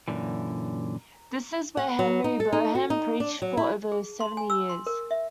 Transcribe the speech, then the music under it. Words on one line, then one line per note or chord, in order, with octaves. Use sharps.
This is where Henry Boehm preached for over seventy years.
F#2 A#2 D3 E3
F#5
F#3
D#4
A4
D#4
F#4
D#4
D4
F#3
E4
G#4
C6
G#5
E6
C6
A#4
E5